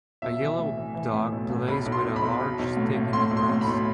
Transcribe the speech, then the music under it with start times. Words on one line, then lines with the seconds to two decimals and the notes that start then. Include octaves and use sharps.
A yellow dog plays with a large stick in the grass.
0.22 B1 E5
0.41 E3
0.59 A2
0.77 E3
0.95 E3
1.13 A2
1.32 B1
1.50 A2
1.68 B1 B5
1.86 B1
1.92 C6
2.05 B1
2.16 B5
2.23 B1
2.40 B1
2.59 B1
2.77 A2
2.95 A2
3.13 A2 C6
3.31 B1
3.37 C6
3.49 A2
3.61 B5
3.67 B1